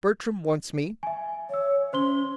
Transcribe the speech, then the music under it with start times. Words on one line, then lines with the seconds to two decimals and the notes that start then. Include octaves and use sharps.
Bertram wants me.
1.03 E5 G#5
1.50 C#5 E5 E6
1.93 C#4 C5 C6 G7